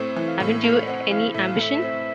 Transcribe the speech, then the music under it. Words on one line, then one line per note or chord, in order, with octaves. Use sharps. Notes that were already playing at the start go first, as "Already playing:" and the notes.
Haven't you any ambition?
Already playing: A2 A3 C4
E3
F5
A2
A3 F5
C4 F#5
E3 F5
A2 E5
F5
A3 E5
C4